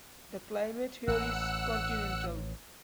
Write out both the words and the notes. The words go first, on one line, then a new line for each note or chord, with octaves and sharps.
The climate here is continental.
A1 F#5 E6 F#6